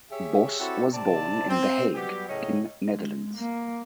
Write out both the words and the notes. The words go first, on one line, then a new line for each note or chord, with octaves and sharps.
Bos was born in The Hague in Netherlands.
G4 G#4 C#5 E5
C4 E4 F#4 G4 A4 C#5
C3 D5 A5
C4
F#3 G3 B3 G4
A2 C#3 C#4 D#5
G#3
A#3